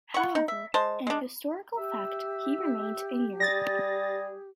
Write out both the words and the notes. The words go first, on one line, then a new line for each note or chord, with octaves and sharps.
However, in historical fact he remained in Europe.
F#5 C#6
D#4
E5
G#3 C5 A5
G#3 D4
G4 E5
G3 G#4 A6 A#6